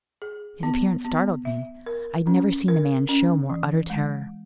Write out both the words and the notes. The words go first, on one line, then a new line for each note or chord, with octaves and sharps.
His appearance startled me: I had never seen a man show more utter terror.
G#4
B3
B3
E5
A#4
C#4
A#4
C#4
E3
G#3